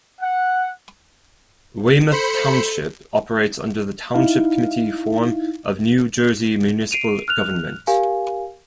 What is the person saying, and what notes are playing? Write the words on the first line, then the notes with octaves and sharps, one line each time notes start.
Weymouth Township operates under the Township Committee form of New Jersey municipal government.
F#5
A4 C5 B5 C#7
D#4 E4 F5
C7 D7 D#7 F7
F6 F#6 F7
G4 A#4 F5 G#5